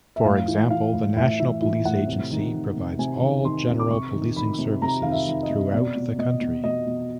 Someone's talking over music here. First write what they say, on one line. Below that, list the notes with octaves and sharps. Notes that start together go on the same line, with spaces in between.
For example, the National Police Agency provides all general policing services throughout the country.
E5
A2 F5
E3
E3 F5
A2
A2 E5
E3 E5
E3 E5
A2 F#5
C3
D#3
D#3
C3
C3 G#5
D#3
D#3 C6
C3
D6
C3 C#6
D#3
D#3 B5
C3
C3 A#5
D#3 F5
E5
D#3
D#5
C3
B2 D5
B2
B2 D#5
B2
B2 D#5
B2